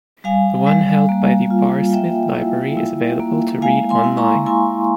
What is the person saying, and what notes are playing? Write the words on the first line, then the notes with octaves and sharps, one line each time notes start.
The one held by the Barr Smith Library is available to read online.
G3 F5 G#5
G3
A#3
F4
A#3 E5 G5
E4
E4
A#3
G#3 F5 G#5
G#5 C6
E4
A#5 C#6
E4 G#5 C6